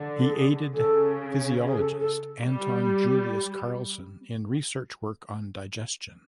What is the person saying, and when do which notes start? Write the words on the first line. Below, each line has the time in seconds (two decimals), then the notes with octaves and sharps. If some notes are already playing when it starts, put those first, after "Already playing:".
He aided physiologist Anton Julius Carlson in research work on digestion.
Already playing: D3
0.22 A4
0.32 G#4
0.74 C#3 A4
1.67 G#4
1.80 A4
2.00 A4
2.43 G3